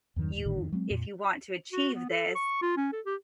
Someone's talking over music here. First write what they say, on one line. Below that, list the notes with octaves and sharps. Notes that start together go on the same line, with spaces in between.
you if you want to achieve this,
E2 G2 D#3 F#3
D#2 A2
G#1 A2 D3 D#3
F2 D#3
F#3 G#3 B3 C4
F2 A#2
F#4
B3
A4
C#6
F4
C#4
A4
G4